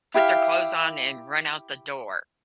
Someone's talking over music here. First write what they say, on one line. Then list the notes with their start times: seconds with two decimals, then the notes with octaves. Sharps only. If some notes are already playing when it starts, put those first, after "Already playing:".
put their clothes on, and run out the door,
0.14 E4 G4 E5 F5